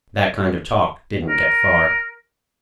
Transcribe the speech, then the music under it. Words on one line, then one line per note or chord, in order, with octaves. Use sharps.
That kind of talk didn't get far.
A#4